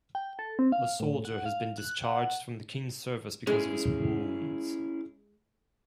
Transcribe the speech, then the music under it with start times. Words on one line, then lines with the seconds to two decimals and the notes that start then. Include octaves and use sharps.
A soldier has been discharged from the king's service because of his wounds.
0.15 G5
0.39 A4
0.59 C4
0.72 F5
1.00 A2
1.25 F#5
1.46 F5
1.78 F#6
2.04 F#5
3.47 G#3 C#4 E4 G#4